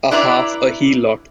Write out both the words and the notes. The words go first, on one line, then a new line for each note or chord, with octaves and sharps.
A half a heelot!
D4 E4 B4 D5 E5 A#5